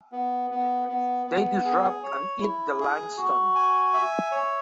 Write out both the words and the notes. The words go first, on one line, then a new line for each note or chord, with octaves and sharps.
They disrupt and eat the limestone.
B3
B3
B3
B3
G#4
C#5
E4
G#4
F#4
G#5
E5
C#5